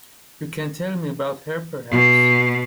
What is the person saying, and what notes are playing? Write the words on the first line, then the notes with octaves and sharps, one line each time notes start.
You can tell me about her perhaps?
B2